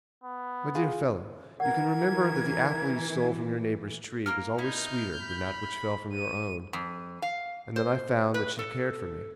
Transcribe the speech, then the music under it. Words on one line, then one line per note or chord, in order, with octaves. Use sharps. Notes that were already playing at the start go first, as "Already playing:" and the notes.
"My dear fellow, you can remember that the apple you stole from your neighbour's tree was always sweeter than that which fell from your own. And then I found that she cared for me."
B3
F4 G#4
E3 A#4 F#5 G#6
A#3 A#4 F6
D#4 E4 F6 G6
B5
D#7
F2
F5
C5
B4
A4